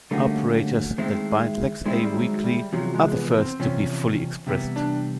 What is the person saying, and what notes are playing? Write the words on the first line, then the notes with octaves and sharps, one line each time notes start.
Operators that bind LexA weakly are the first to be fully expressed.
D3 G3 A3 A#3 C#4 F#4
D#3 G#3 C4 E4
D#3 G3 G#3 C4 E4
G3
F#3
G3
E2 C3 F3 F#3
G#3
B3
C4
E2 C3 F3 C#4
C3 E3 G3 B3
D4